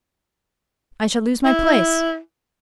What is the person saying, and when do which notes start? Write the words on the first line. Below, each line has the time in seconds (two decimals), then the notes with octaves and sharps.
I shall lose my place.
1.44 E4